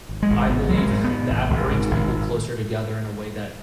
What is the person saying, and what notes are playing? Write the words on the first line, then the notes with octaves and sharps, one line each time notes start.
I believe how that brings people closer together in a way that
G#1
G#3
G#1
G#1 B3
G#1 F#3
G#3
G#2
B3
G#2
G#1
G#1
G#2
G#1